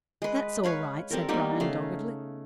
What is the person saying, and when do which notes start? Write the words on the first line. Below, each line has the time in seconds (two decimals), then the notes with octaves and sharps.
"That's all right," said Bryan doggedly.
0.22 G#3 B4
0.63 B4 C#5 F5 B5
1.10 G3 C4 A4 A#4
1.29 G3 A#3 B3 D#4
1.60 C#3 A3 F5